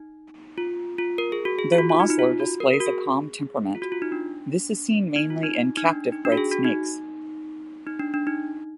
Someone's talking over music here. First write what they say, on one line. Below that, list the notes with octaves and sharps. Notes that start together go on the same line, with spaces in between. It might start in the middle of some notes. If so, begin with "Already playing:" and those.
Though Mozler displays a calm temperament, this is seen mainly in captive bred snakes.
Already playing: D#4
F4
F4
A#4
G#4
F#4
G#4
F4
F#4
F4
D#4
D#4
F4
F#4
A#4
A#4
F#4
G#4
F4
F#4
F4
D#4
D4
D#4
F4
D#4
D#4
D4
D#4
D4
F#4
G#4
F#4
D#4
D#4
D4
D4
D#4